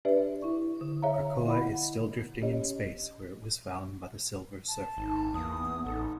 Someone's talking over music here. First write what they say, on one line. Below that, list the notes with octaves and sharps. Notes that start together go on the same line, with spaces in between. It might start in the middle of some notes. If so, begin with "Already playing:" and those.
Krakoa is still drifting in space where it was found by the Silver Surfer.
D4 G4 B4 D5 E5
E4 C#6
D3
G#4 C#5 E5 F5 A#5
E4 D#5 F#5 B5
C#4 G4 C#5 D#5
A5
G#1 D#4
E2 A#3 D#6
B3
A1 D#4 A4